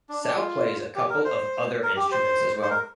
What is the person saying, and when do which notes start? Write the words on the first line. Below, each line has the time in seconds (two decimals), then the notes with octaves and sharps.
Sal plays a couple of other instruments as well.
0.09 D4
0.23 D4
0.37 F4
0.96 G4
1.10 A#4
1.25 C5
1.83 A#4
1.97 G4
2.11 C5
2.62 C5
2.70 A#4